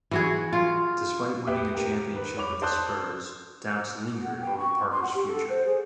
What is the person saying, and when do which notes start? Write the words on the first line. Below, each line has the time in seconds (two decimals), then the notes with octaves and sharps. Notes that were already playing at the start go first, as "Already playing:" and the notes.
Despite winning a championship with the Spurs, doubts lingered over Parker's future.
0.11 E3 F#4 G#4
0.53 F4
1.47 G4 B4 E5 G5 D6 D#6
1.75 G4 A#4 G5
2.11 D#3 B4
2.37 C#5 B5 D6 F7
2.62 C5 D5 A5 C6 D#6 F#6
4.23 F#5
4.41 G5
4.58 C#6
4.91 C6
5.02 F#5
5.15 G4
5.28 A4
5.49 C5
5.66 G#4